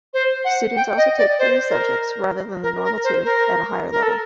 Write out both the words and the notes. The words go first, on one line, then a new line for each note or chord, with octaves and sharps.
Students also take three subjects, rather than the normal two, at a higher level.
C5
F#5
G5
D#5
D5
C5
A#4
A#4
A#4
C5
A#4
A#4
A4